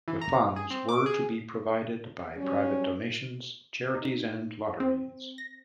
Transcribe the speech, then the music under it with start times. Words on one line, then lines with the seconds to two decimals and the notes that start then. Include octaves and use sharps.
The funds were to be provided by private donations, charities and lotteries.
0.08 E3
0.21 A#5
0.56 G#4
0.70 C4
0.89 D6
1.06 G#4
2.36 F#3 G3 C#4
3.95 D#4
4.80 C4
5.38 A#6